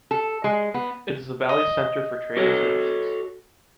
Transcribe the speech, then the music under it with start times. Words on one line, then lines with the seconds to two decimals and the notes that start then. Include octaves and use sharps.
It is the valley’s center for trade and services.
0.11 A4
0.44 G#3
0.74 B3
1.49 D#5
2.37 F#4 A4 C#5